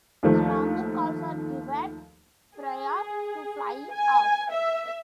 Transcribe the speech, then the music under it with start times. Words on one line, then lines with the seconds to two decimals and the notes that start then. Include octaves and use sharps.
The longer calls are given prior to flying off.
0.23 D#2 D#3 F3 A3
2.56 G#4
3.91 G#5
4.51 E5